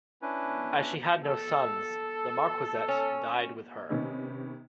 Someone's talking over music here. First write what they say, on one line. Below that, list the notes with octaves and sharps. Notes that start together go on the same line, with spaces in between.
As she had no sons the marquessate died with her.
C#4 D4 E4 B4
A4
C#4
C3 D#3 B3 C#4 D#4